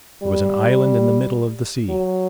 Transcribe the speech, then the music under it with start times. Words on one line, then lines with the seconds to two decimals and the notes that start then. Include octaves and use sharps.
It was an island in the middle of the sea.
0.23 G3
1.89 F#3